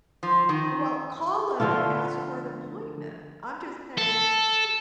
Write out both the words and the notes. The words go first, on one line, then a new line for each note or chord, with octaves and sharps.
Well, call him and ask for an appointment. I'm just saying,
F3
D#3
D3 F3 A3 F4
A4